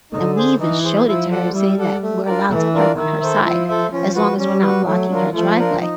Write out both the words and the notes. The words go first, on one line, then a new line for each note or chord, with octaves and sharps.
and we even showed it to her saying that we're allowed to park on her side as long as we're not blocking her driveway.
D3 D#4
G#4 C5
E3 D#4
G#4 C5
F3 E4
A4 D5 F#5
G3 E4
A4 D5 F#5
A3
D4 F4 A#4 D5
E3 A3
D4 F4 A#4 D5
D#3 E4
A4 C5 E5
F3 E4
A4 C5 E5
F3 C#4
F#4 B4
G3 C#4
F#4 B4
F#3 A3
D4 F4 A#4
F3 A3
D4 F4 A#4
D#4